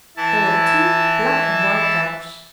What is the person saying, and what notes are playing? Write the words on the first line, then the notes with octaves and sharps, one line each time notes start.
There were two black and white dogs.
E3 E4 A5